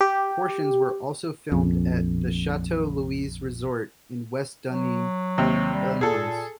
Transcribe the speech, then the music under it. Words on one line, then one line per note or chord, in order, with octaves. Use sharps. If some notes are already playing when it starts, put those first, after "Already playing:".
Portions were also filmed at the Chateau Louise Resort in West Dundee, Illinois.
G4
A#1 F2
F#3
D#2 C3
G3
A#2 G#4 A4